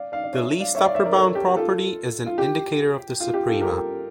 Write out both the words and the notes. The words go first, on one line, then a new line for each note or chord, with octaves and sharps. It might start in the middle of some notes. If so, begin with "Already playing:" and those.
The least-upper-bound property is an indicator of the suprema.
Already playing: D5 F5
D5 F5
D5
C#5 E5
D5 F5
C#5 E5
D5 F5
C#5 E5
A#4 D5
A4 C#5
G4 A#4
F4 A4
F4
G4
F4
G4
F4 A4
G4 A#4